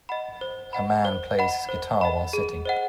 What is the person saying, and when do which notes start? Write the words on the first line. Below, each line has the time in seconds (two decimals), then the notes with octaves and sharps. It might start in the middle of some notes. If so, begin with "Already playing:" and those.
A man plays his guitar while sitting.
0.09 D#5 F#5 B5
0.41 C5
0.73 D#5 F#5 B5
1.05 C5
1.38 D#5 F#5 B5
1.69 C5
2.01 D#5 F#5 B5
2.33 G#4
2.66 C5 D#5 F#5